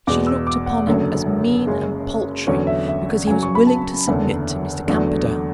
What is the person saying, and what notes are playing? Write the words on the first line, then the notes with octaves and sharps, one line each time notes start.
She looked upon him as mean and paltry because he was willing to submit to Mr. Camperdown.
E2 B2 G#3 D6
E6
D6
F#5
F#1 F#2 D3 F#3
F#1 F#2 C#3 G#3 C#4
E2 D3 F#3 C#4 C#5
E5
E5
F#2 C#3 F#3 G#5
C#6
B5
A5
F#1 E2 D3
E2 D3 F#3 A3 D4